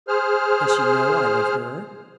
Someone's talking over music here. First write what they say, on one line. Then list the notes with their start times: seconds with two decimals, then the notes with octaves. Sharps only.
Does she know I love her?
0.08 G#4 C5 F6